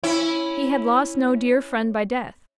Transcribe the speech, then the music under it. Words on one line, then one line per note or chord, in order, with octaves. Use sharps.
He had lost no dear friend by death.
C#4 E4